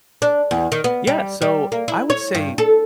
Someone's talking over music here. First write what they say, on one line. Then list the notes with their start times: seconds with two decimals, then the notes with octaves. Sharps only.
Yeah, so, I would say,
0.22 D4
0.51 E2
0.72 D#3
0.84 B3
1.07 G3
1.42 G3
1.72 A#3
1.88 E4
2.10 C#5
2.35 G2
2.58 A4